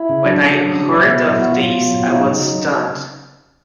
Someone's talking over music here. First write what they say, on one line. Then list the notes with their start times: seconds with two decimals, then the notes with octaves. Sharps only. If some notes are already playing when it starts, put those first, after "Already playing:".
When I heard of this I was stunned.
Already playing: E4
0.09 C#3
0.25 F#3 D4
0.41 C#3
0.57 F#3
0.72 C#3
0.88 F#3 E4
1.04 B2
1.21 F#3
1.36 B2
1.41 F#4
1.52 F#3 F4
1.68 B2
1.83 F#3
2.00 B2
2.08 E4
2.15 F#3 D#4
2.31 C#3
2.47 F#3
2.63 C#3